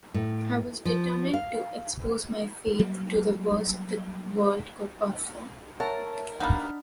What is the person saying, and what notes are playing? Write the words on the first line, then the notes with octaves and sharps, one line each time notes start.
I was determined to expose my faith to the worst the world could offer.
A2
F3
F5
F#3 G3 A#3
A#4 C#5 E5 F#5 A5
G3 A#3 B3 D4 D#4 F#5 B5 F6